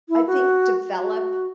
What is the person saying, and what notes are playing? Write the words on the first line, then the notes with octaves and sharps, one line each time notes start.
I think, develop
E4
F#4
F#4